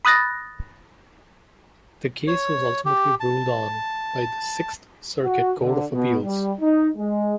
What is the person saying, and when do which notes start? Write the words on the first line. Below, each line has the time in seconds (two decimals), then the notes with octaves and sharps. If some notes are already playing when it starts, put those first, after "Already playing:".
The case was ultimately ruled on by the Sixth Circuit Court of Appeals.
0.05 B5 D#6 F#6 A6 A#6
2.27 C#5
2.85 G4
3.20 A5
5.24 F#4
5.60 D3
5.92 B2
6.23 G3
6.60 D#4
6.98 G#3